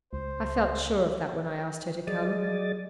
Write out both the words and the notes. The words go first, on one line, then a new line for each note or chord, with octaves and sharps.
I felt sure of that when I asked her to come.
C#2 C5
F#3 G#4 D5 D#5 A6